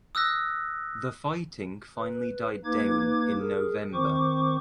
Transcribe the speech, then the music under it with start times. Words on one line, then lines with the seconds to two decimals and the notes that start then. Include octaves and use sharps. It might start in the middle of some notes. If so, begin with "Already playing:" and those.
The fighting finally died down in November.
0.15 D#6 E6 F#6 A#6
1.97 B4
2.65 A#3 D#4 B4 D6 G#6
3.40 G#4 A#4
3.93 D#3 C4 C5 C#6 D6